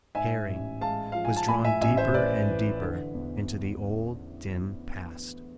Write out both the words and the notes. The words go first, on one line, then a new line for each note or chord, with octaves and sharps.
Harry was drawn deeper and deeper into the old dim past.
G#2 E5 G#5
A1
G#3 F5 A5
F3 F5
G#5
A5
A2 G#5 B5
E5 G#5
A1 E5 G#5
C5 E5
C5
A1 B4 D5
E3
D3
E2